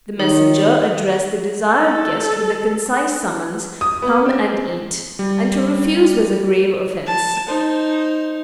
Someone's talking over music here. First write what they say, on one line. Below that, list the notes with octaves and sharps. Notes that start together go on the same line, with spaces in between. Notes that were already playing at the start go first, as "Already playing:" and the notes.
The messenger addressed the desired guest with the concise summons, "Come and eat"; and to refuse was a grave offence.
D#3 D#4 C#5
A4
D#6
B3
C4
G3
A5
D#4 C5